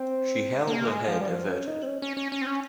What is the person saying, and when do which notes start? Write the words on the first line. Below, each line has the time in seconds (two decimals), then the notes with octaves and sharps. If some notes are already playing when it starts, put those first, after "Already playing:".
She held her head averted.
Already playing: C4
0.67 A#3
0.87 G#3
1.08 F3
1.21 G3
1.28 F3
1.48 C#4
1.67 D#4
1.83 C4
1.87 C#4
2.02 C#4
2.17 C#4
2.32 C#4
2.41 C4
2.47 C#4